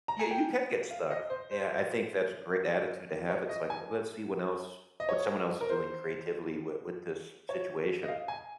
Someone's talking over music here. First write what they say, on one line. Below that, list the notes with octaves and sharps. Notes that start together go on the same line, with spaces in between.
Yeah, you can get stuck. Yeah, I think that's a great attitude to have, it's like, l let's see what else what someone else is doing creatively w with this situation.
A#5
G#5
G5
F5
D#5
C5
C5
C#5
D#5
G#5
D#5
C#5
A#4
C5
C#5
D#5
F5
G#5